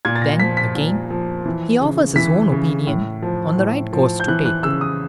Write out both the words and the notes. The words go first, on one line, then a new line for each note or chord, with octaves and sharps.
Then, again, he offers his own opinion on the right course to take.
A#2 G#6
A6
A#6
F3 B6
B6
A#2
F3
E3
C#3
E3 B6
C#3
A2
F3
A2
F3
G6
E3 F#6
F#6
C#3 E6
D#6